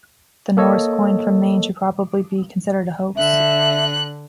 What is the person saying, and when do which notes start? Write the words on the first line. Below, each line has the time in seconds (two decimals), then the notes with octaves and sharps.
The Norse coin from Maine should probably be considered a hoax.
0.57 A#3 A4 C#5 D#5
3.16 D3 E5 F#6